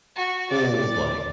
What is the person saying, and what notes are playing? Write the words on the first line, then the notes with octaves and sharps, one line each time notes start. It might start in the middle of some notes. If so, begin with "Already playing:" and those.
old, like,
F#4
D5